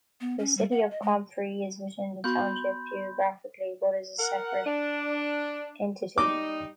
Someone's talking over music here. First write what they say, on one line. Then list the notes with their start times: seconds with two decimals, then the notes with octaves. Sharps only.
The city of Comfrey is within the township geographically but is a separate entity.
0.21 B3
0.39 C#4
0.57 G3
0.71 F#5
0.91 D#5
1.02 G#3
2.24 B3 F#4 B5 C6 G6
4.19 A#4 F#5
4.65 D4
6.18 G3 D#4 D6